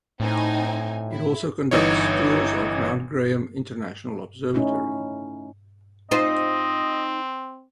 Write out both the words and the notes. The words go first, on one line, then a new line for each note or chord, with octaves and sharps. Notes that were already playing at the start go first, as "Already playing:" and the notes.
It also conducts tours of Mount Graham International Observatory.
A2 C4 D#4 G#5
E4
G1 E3 D#4 C#5
A3 C#4 D#4 E4
C4 D#4 F4 C5 D#5